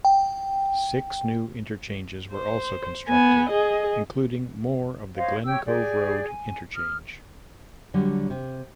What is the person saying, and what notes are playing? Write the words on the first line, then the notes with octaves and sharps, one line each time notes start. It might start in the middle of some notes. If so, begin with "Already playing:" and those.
Six new interchanges were also constructed, including more of the Glen Cove Road interchange.
G5
C5
B3 G#5
G#4 D#5
C5 C#5 D#5 F5
G4 C#5 G5 E6
G4 G#4 D5
G#5
D#6 F6
D3 F#3 G3
C3